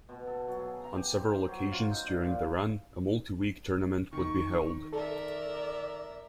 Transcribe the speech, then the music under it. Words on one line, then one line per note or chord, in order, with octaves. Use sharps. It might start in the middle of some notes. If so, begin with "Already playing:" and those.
On several occasions during the run, a multi-week tournament would be held.
B2
A4
F#3
G#4
A#5
G4
C5
F#3
F4
D#4
D5
A#2
D#3 C#6
A4 A#4 D5 E5